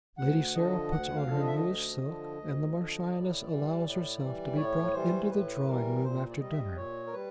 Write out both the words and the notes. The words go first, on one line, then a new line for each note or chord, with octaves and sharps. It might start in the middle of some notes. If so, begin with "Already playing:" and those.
Lady Sarah puts on her newest silk, and the Marchioness allows herself to be brought into the drawing-room after dinner.
D2 F#5
D3 F3 D#5
D2 F#5
F5
D3 F3
D#5
E5
D#5
D2
D3 F3
D2
D3 F3
A2 D5
E3 G3
A2
E3 G3
A2 C#5
E3 G3 C5
C5
A2 B4
E3 G3 A#4
A#2 C5
D5
G3 D#5
E5
D#5
A#2 C#5
A#4
G3 B4